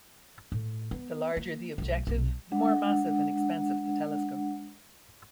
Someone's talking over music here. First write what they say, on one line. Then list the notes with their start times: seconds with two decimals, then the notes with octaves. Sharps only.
The larger the objective, the more massive and expensive the telescope.
0.52 A2
0.91 B3
1.37 A#3
1.78 B1 A3
2.07 B1 C3
2.52 G#3 D4 F#5